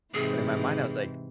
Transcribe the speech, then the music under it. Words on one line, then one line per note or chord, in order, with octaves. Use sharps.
but in my mind I was like,
G#2 C3 E3 G#4